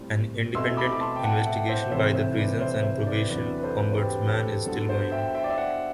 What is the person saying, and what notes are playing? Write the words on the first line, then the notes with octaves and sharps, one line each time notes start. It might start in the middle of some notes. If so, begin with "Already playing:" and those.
An independent investigation by the Prisons and Probation Ombudsman is still ongoing.
Already playing: A2 G3 C4
B2 A3 C4 E4 C6 E6
B5 D6
D6
A5 C6
G5
F#5 A5
E5 G5
C5 E5
C3 E3 A3 C4 E4 C5 E5
C5 E5
B4 D5
C5 E5
C5 E5
B4 D5
E2 D3 F#3 C4 E4 B4 D5
B4
A4 C5
C5
G4 B4
A4
D3 F#3 B3 A4
A4 C5
E5 G5
E5 G5
D5
E5
D5 F#5